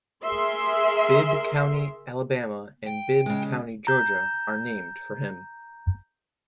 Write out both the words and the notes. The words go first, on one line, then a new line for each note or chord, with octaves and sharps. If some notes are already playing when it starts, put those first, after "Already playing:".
Bibb County, Alabama, and Bibb County, Georgia, are named for him.
G#4 A#4 E5 C6
G5
C#3 G#3
A#5 G6